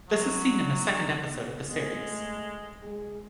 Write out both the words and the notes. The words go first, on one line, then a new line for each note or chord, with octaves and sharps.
This is seen in the second episode of the series.
F#3 B3
D4
D4
B3
G#3 B3
A3
G#3